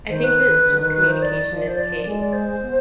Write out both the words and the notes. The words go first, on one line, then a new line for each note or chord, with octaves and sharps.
I think that just communication is key.
D#3 C5
B4
D3
D#3
B4
C5
D5
F3
C5
D5
G#3
D5
C5
B3